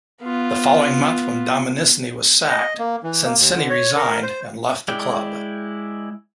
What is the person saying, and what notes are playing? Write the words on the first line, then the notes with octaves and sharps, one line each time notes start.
The following month when Dominissini was sacked, Sensini resigned and left the club.
B3 F4
D#5
A#3
E3
A#3
D#2
D3
C#5
A#4
C5
G#3 E4 D5 G5